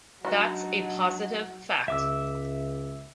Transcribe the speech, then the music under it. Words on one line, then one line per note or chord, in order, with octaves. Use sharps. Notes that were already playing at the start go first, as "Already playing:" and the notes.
That's a positive fact.
F#3 G#3 B3 D4 D#4 F#4
C#2 E5 D6 E6